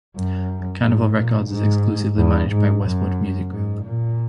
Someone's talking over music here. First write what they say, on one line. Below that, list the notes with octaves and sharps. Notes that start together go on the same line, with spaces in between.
Carnival Records is exclusively managed by Westwood Music Group.
F#2
G#2
A#2
G#2
E2
G#2
F#2
G#2
A#2